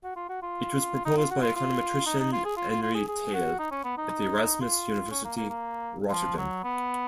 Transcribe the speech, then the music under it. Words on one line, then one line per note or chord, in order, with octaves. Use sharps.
It was proposed by econometrician Henri Theil at the Erasmus University Rotterdam.
F#4
F4
F#4
F4
D#4
F4
F#4
F4
F4
D#4
D#4
F4
G#4
F4
F4
F4
G#4
G#4
F#4
D#4
C#4
B3
D#4
F4
C#4
A#3
A#3
A#3
F3
F#3
B3